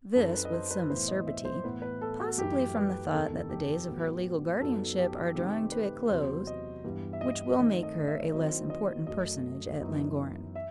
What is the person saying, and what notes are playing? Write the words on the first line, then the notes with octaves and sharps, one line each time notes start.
This with some acerbity--possibly from the thought that the days of her legal guardianship are drawing to a close, which will make her a less important personage at Llangorren.
F#2 F#3 C4 D#4 A4
B4
D#5
C5
B4
A2 E3 B3 E4 C5
D#5
E5
C5
A2 E3 B3 B4
B4
A4
F#4
F#2 E3 A3 G4
B4
E2 C3 D#3 A4
G4
A2 F#3 B3
F#2 F#3 B3 D#4 A4
G4
C3 D#3 A3 C4 D#4 G4
B4
E2 C3 F#3 C5
D#5
G2 E3 G3 B3
E5
D#5
D#3 A3 C4 D#4 D#5
D#5
E5
D#3 F#3 C4 E4 D#5
D#5
F#2 F#3 A3 D#5
F#2 E3 B3 D#4
E5